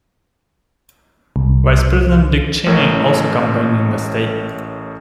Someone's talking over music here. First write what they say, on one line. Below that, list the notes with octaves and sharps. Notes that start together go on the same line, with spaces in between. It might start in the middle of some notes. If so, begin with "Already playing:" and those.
Vice President Dick Cheney also campaigned in the state.
C2
A1 A2 A#4 C#5